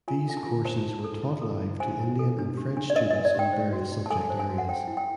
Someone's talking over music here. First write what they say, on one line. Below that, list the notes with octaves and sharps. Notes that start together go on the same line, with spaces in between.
These courses were taught live to Indian and French students in various subject areas.
F4 G#5
A4 G#5
A5
F4
C5 A5
F4
A4
E4
A4
E4
C5 G#5
E4
A4
D4
G4
D4
D5
B4 D#5
D4 D#5
D5
G4 G5
C5
F#4
D#4
A5
A4 G#5
C5
G#5
F#4
F#5
C5 G5
E4
G5